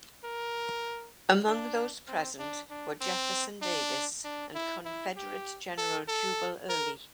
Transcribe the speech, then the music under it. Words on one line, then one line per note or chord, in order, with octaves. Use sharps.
Among those present were Jefferson Davis and Confederate General Jubal Early.
A#4
D4
C4
D4
D4
C4
D4
D4
E4
E4
G4
A4
A4
A#4